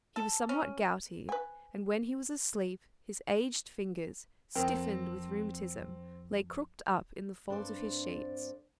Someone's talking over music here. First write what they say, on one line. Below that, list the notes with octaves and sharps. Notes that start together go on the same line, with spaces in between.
He was somewhat gouty, and when he was asleep, his aged fingers, stiffened with rheumatism, lay crooked up in the folds of his sheets.
A4
C#4
B4 G#5
F2 C4 A#4 G5
G2 C4 D4 A4 C5 D5